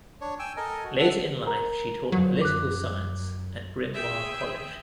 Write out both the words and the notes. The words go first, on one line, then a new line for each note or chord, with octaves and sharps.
Later in life she taught political science at Bryn Mawr College.
D4 C#5
G5 G#5 E6
A4 A#4 D#5 G#5
F#4
A4 E5 F#5
A#4 A#5
F2 D3 F3 F#3
F#2 D6 F#6
G#4 E5 G5